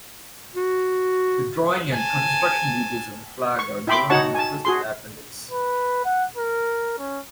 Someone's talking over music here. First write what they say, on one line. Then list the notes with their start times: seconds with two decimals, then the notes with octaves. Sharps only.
The drawing and construction details of the flag are given in the first appendix.
0.55 F#4
1.94 G#5 A5
3.59 C#6
3.87 E4 E5 G5 B5 C6 D6
4.10 D#4 F#4 C#5 F#5 A5 C#6
4.34 G#5 A5
4.65 F#4 G#4 C6
5.51 B4
6.05 F#5
6.37 A#4
6.99 C#4